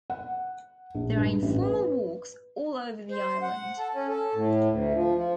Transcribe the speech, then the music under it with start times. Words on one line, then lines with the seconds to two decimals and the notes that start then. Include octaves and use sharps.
There are informal walks all over the island.
0.10 F#5
0.95 A#1
1.16 G2
1.42 A1
1.62 B4
3.11 C5
3.42 F#5
3.78 A4
3.94 C#4
4.09 A4
4.35 A2
4.69 D2
4.94 F3
5.15 F3